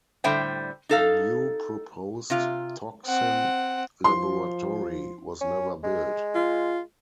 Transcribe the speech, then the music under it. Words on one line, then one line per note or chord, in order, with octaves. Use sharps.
A new proposed toxin laboratory was never built.
A2 D3 G3 C5 E5 G5
D#4 A4 F5
C3 F4
C4 F#5
F3 C6
C#4
G#3
F4